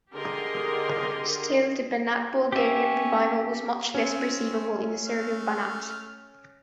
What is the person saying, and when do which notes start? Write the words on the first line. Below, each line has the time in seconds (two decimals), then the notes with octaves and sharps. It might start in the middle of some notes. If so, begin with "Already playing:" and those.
Still, the Banat Bulgarian revival was much less perceivable in the Serbian Banat.
0.13 D3 G4 G#4 A#4 D#5 C6
2.52 C#4 G4 E5
3.95 C4 C#4
5.05 A3 F6